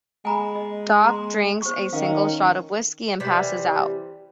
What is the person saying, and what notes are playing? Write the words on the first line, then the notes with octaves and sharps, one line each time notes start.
Doc drinks a single shot of whiskey and passes out.
G#3 G#5 A#5 B5
D#5
A#5 C6
C5 C#6
D#3 C#4 F5
C3 E3 G3